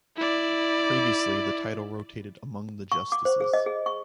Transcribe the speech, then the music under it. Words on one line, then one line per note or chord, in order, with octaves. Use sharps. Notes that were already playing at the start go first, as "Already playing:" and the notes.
Previously the title rotated among the justices.
E4 D5
C#6
D6
C5
G#4
D#5
G#4
C#6